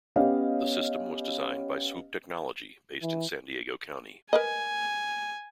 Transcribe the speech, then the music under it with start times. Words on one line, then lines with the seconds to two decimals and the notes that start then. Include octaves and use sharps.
The system was designed by Swoop Technology, based in San Diego County.
0.16 B3 C#4 G4 D#5 F5
3.02 E3
4.33 A#4 B4 D#5 G#5